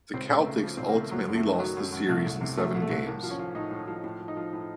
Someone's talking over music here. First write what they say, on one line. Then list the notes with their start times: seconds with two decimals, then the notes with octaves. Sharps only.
The Celtics ultimately lost the series in seven games.
0.13 C#2 C4
0.30 C#2
0.39 A3
0.47 C#3
0.63 F3
0.77 C#2 C4
0.88 A#3
0.96 C#2 A3
1.11 F#2 F#3
1.28 F#2
1.35 A3
1.44 D#3
1.60 F#3
1.77 F#2
1.92 F#2
2.09 C2 A3
2.26 C2
2.41 C3
2.57 F#3 A3
2.75 C2
2.82 A3
2.90 C2
3.06 A2 A#3
3.23 F3
3.30 C#4
3.39 F3
3.55 A2 D#4
3.71 A2
3.88 F3
4.04 A2
4.21 F3
4.28 D#4
4.37 F3
4.53 A2